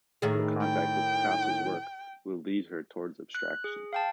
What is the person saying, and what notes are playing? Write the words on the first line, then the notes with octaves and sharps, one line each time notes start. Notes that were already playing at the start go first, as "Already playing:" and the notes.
Her contact with Picasso’s work will lead her towards abstraction.
A2 D#3 G#4
G5
F#6
G#4
F5 G5 A5